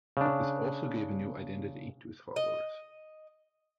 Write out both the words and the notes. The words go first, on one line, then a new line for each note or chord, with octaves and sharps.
This also gave a new identity to his followers.
C#3 D4
D#5